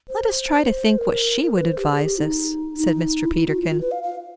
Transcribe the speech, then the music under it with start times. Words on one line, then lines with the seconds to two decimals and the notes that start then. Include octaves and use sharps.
"Let us try to think what she would advise us," said Mr. Peterkin.
0.09 C5
0.98 A#4
1.43 A#4
1.56 B4
1.66 C5
1.77 G4
1.89 G#4
2.04 G4
2.18 D#4
2.79 D#4
3.24 E4
3.35 E4
3.47 F#4
3.58 F4
3.70 F4
3.81 B4
3.91 F5
4.03 F5